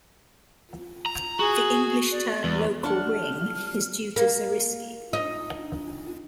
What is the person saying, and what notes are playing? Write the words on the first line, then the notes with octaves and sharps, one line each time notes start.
The English term "local ring" is due to Zariski.
A#5
F#4 G#4
D5
E2
D4 F#5 F6
A#3
D#4